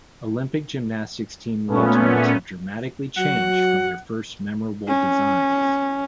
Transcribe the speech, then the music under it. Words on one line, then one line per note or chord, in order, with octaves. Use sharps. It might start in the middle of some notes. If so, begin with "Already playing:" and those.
Olympic gymnastics team leotards have dramatically changed from their first memorable designs.
A#2 A3 B3 C#4
F#3 F#4 F#5
C#4